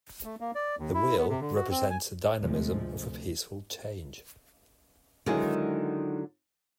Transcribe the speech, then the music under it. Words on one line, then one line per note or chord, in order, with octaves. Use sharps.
The wheel represents the dynamism of a peaceful change.
A3
A#3
D5
D#2
E4
B3
C3
D3
F#4
C4
G#5
D2 C3 F3 G#3 A3
D3 D#3 F#3 G#3 E4